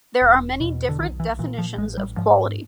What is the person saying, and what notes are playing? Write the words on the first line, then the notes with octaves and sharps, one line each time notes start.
There are many different definitions of quality.
E1
E2 B2
D3
B1 D#3
E3
A#2 E3
F3
A1 G#3
G3
G#2 F3